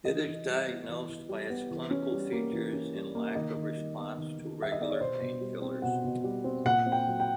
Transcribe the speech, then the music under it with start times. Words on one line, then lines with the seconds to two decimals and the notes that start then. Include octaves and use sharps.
It is diagnosed by its clinical features and lack of response to regular painkillers.
0.05 E3 D#5
0.26 E3
0.47 G3
0.68 B3
0.89 E3
1.09 E3
1.29 G3
1.50 B3
1.71 E3
1.91 C#4
2.12 G3
2.32 A#3
2.53 E3
2.73 C#4
2.95 G3
3.15 A#3
3.35 D#3 D#5
3.56 D#3
3.77 G3
3.98 B3
4.18 D#3
4.39 D#3
4.60 G3 E5
4.72 D#5
4.80 B3 D5
4.91 C#5
5.00 B2 C5
5.21 B2
5.41 G3
5.62 C4
5.82 B2 F#5
6.04 B2
6.24 G3
6.44 C4
6.65 A#2 F#5
6.86 C4
6.92 G5
7.07 F#3
7.20 G5